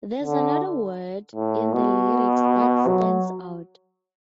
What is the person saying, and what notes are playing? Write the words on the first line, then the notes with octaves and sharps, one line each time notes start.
There’s another word in the lyrics that stands out.
D3
A2
B2
F#3